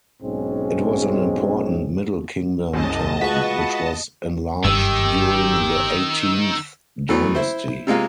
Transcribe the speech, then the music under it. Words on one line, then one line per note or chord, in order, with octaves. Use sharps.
It was an important Middle Kingdom town, which was enlarged during the Eighteenth Dynasty.
B1 G#2 G#3 C4 C#4
C2 F#2 G#4 D#5 A5
G#3 F4 F#4 B4 C#6
F#1 G2 D#3 G4 E6
E3 F#3 A3 B3
E4 C5
C3 G#3 A#3 F4